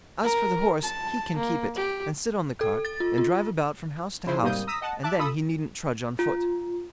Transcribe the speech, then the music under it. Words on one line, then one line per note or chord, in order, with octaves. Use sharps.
As for the horse, he can keep it, and sit on the cart, and drive about from house to house, and then he needn't trudge on foot.'
A#4
A5
A#3
G4
A4
A6
F4
F4
C#3 F3 E4 C5
G#2 C3 G3 A#3 D#6 G6
A#5 D#6 E6 A#6 B6
D#5 F#5 A5
E5 A5 D6 F#6
F4 A4 B5 D#6 E6
F4